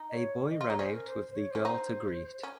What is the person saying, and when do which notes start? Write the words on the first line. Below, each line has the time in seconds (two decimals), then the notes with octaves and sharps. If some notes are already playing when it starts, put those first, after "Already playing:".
A boy ran out with the girl to greet.
Already playing: D#4
0.09 D#5
0.13 C#5
0.50 D#5
0.61 F4
0.65 C#5
0.70 D#4
0.78 C#4 C5
0.93 A#4
1.08 C5
1.31 C5
1.36 C#5
1.51 C#4 C5
1.65 D#4
2.43 C#4